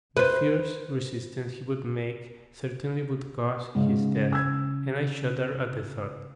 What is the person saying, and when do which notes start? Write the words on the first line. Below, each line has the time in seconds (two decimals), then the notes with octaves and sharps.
The fierce resistance he would make certainly would cause his death, and I shuddered at the thought.
0.17 B4 C5
3.75 G#2 C#3 G#3
4.32 E6 G#6